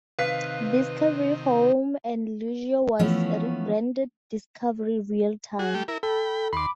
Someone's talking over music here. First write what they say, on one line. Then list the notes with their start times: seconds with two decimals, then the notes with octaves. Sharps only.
Discovery Home and Leisure was rebranded Discovery Real Time.
0.19 C3 D#3 B4 F5 B6
2.99 E3 F3 A3 B3 C#4 E4
5.59 F#4 G#4
5.74 G3 A3 G4
5.88 E4 A#4
6.03 A4 G5 B5
6.53 D#2 B5 C6 D6